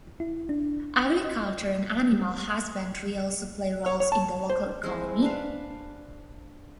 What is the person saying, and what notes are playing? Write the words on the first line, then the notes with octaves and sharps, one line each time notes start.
Agriculture and animal husbandry also play roles in the local economy.
E4
D4
D#5
D#5
G3
C#5
C#5
A5
C5
G#3 C4 E4
D4 B4 F5